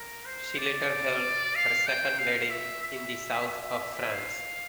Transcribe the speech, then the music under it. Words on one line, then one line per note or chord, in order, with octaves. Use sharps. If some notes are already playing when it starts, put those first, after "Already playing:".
She later held her second wedding in the South of France.
Already playing: A#4
C5
D5
F5
G5
F5
E5
E5
E5
F5